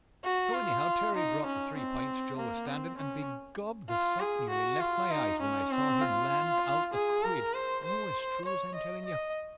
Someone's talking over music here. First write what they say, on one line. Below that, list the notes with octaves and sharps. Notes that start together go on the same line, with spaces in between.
So anyhow Terry brought the three pints Joe was standing and begob the sight nearly left my eyes when I saw him land out a quid O, as true as I'm telling you.
F#4
F4
D#4
C#4
C4
A#3
C4
C#4
F4
G#4
F#4
F4
D#4
C#4
C4
F4
G#4
A#4
C5
C5
C#5
D#5
D#5